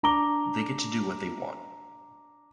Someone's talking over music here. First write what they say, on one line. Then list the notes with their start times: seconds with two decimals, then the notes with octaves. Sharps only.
They get to do what they want.
0.03 D4 A#5 D6 G7